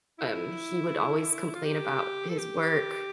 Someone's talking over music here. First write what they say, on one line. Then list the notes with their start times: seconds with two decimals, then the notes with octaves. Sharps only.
um he would always complain about his work
0.19 E4
1.55 F4
1.65 G4
2.29 A4
2.38 G4